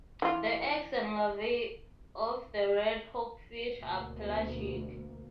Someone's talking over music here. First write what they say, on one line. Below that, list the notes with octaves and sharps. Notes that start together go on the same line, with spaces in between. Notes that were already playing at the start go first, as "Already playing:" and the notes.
The eggs and larvae of the red hogfish are pelagic.
E3 F4
D2 B2 A#3